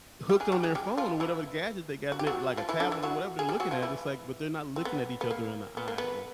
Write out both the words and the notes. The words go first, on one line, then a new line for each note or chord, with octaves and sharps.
hooked on their phone or whatever gadget they got, l like a tablet or whatever they're looking at, it's like but they're not looking at each other in the eye and,
G3 G4
G#3 G#4
G3 G4
G#3 G#4
G3 G4
F3 F4
E3 E4
F#4
G4
F#3 F#4
F3 F4
E3 E4
D3 D4
E3 E4
F#3 F#4
G#4
G3 G4
F#3 F#4
F3 F4
E3 E4
C4
B3
B3
A#3
B3
A#3
B3